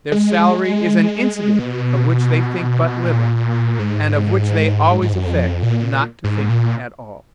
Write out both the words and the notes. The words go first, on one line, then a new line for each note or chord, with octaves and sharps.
Their salary is an incident of which they think but little, and of which they always affect not to think at all.
G#3
B2
A#2
G#2
G#2
F#2
F2
A#2
G#2
A#2